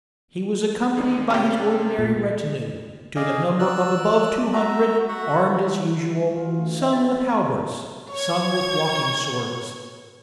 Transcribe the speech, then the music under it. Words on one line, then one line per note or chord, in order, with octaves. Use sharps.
He was accompanied by his ordinary retinue, to the number of above two hundred, armed as usual, some with halberts, some with walking swords.
E2 D#3 G#3
C3 G3 C#4 G4
A#2
G#4 D5 D#5 F5
D5 E6 F#6
F#4 E5 A#5
F#4 E5 F#5
E3 F4
F#3
D2
D#5 E5
F2 A6
C#5 G#6